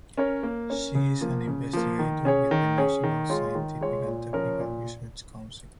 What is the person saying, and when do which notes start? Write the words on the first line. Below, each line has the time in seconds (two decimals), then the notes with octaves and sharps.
She is an investigator with the National Scientific and Technical Research Council.
0.17 C#4 A#4 C#5
0.43 A#3
0.70 C#4 A#4 C#5
0.95 C#3
1.21 F3 A#3
1.47 C#3
1.73 F3 A#3
1.99 D#3
2.25 C#4 G#4 C#5
2.51 D#3
2.78 C#4 G#4 C#5
3.03 D#3
3.30 G#3 F4 C#5
3.55 D#3
3.81 G#3 F4 C#5
4.07 A#2
4.33 F3 C#4 A#4 C#5
4.60 A#2